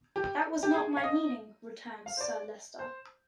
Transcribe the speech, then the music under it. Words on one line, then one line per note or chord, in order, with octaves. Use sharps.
"That was not my meaning," returns Sir Leicester.
G4
G4
G#4
F5
D#5
F5
C5
D5
C5